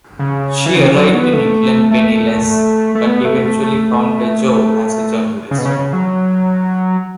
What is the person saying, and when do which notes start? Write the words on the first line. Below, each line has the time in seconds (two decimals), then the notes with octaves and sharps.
She arrived in England penniless, but eventually found a job as a journalist.
0.19 C#3
0.66 E3
0.76 C#3
0.95 F#3
1.14 B3
1.33 A3
1.91 A3
2.95 A3
3.07 B3
3.25 A3
3.45 A3
3.63 A3
5.51 C#3
5.58 B2
5.65 C#3
5.79 C#3
5.93 F#3